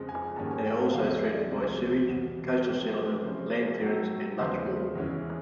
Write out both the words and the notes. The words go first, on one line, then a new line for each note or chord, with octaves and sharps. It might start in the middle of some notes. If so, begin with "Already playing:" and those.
They are also threatened by sewage, coastal settlement, land clearance and much more.
Already playing: F2 C#3 F3 G#3
G#5
G#2 D#3 G3 A#3 C#4 A5
G#5
G5
F#5
D#2 C#3 F3 G#3 F5
E5
D#5
D5
C2 C3 F3 A3 C#4 C5
E2 B2 G3
A2 F3 G#3 B4
C5
B4
C3 F3 G#3 C#4 C5
A2 F#3 A3
D#2 C#3 F3 G#3 B3 C5
E2 C#3 E3 G#3 C#4